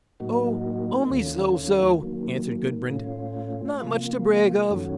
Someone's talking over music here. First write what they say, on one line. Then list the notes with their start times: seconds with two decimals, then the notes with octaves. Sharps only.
'Oh! only so so', answered Gudbrand; 'not much to brag of.
0.20 A2 F#3 A#3 D#4 F#4
1.10 D#2 D#3 A3 C#4 F4
1.99 D#3 F#3 A#3
2.90 A2 A3 C#4 F4
3.80 C3 F3 A#3 F4
4.69 F#2 D#3 A3 C#4 F#4